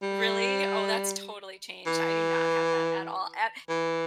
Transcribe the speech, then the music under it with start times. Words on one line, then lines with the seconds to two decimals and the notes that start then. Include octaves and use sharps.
Really? Oh, that's totally changed, I do not have that at all a
0.02 G3
1.86 E3
3.69 E3